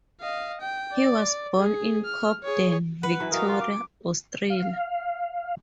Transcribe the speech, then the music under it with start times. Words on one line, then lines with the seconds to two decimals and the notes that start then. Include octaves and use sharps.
He was born in Cobden, Victoria, Australia.
0.21 D#5 F5
0.61 G5
0.92 D5
1.58 G#4
2.05 F6
2.44 G#4 C#5
3.03 B4 F#5
3.20 E3 F#3 C#4
3.32 F#3 C#4 F#4 A#4 D#5 F5
3.48 F4
3.61 D6
4.50 F5